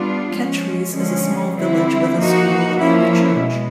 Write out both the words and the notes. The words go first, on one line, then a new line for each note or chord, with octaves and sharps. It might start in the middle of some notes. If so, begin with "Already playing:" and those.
Kechries is a small village with a school and a church.
Already playing: G3 B3 D4 F4
F3 G#3 C#4
D3 F3 G#3 C#4
D3 G3 C4 E4
F3 A#3 D#4 F#4
F3 A#3 C#4 E4
B2 G#3